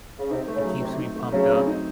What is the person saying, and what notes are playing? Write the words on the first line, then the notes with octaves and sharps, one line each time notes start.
It keeps me pumped up,
C#3
C3 D#4
A3
C#3
F#3
C3 C4
D#4
A3
C#3 F#3
C4
D#4